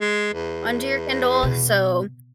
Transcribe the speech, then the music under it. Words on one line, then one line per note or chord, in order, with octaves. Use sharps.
under your Kindle, so,
G#3
E2
B2